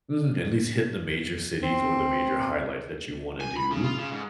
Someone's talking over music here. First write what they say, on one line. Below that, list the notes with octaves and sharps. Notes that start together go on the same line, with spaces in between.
Mhm, at least hit the major cities or the major highlights that you wanna do,
C4
G#5
B5
C#3
F4
C#3
G#2